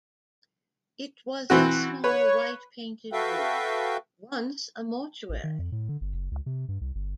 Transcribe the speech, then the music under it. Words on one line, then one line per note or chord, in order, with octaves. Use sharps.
It was a small, white painted room, once a mortuary.
E3 C4 F#4
B4 C#5
F#4 A4 B4 E5 F5 G5
A1
D#3
F2
A2
D3
G1
F#1
C#2
C3
G2
C2
G1